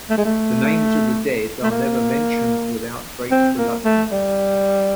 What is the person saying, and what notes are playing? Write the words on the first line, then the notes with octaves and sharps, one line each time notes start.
The names of the dead are never mentioned without great reluctance.
A3
G#3
A3
A3
A#3
C4
A#3
A3
G3